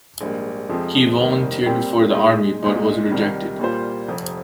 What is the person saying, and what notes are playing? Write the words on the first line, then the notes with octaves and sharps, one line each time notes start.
He volunteered for the army but was rejected.
A#1 G#2 G3 A#3
F2 C3 F3 G#3 C4
F1 D#2 D#3 G3 A#3
A#2 G3 C4 G4 A#4
A#2 G#3 D#4
C2 A#2 G#3 D#4
C2 C3 D#3 G3
A#2 G3 A#3 F4 C5
F1 F2 C3